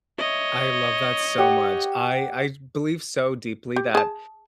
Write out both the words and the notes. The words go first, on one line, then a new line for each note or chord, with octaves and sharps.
I love that so much. I I believe so deeply that
C#5 D#5 E5
G4 F#5
G4
G#4 A5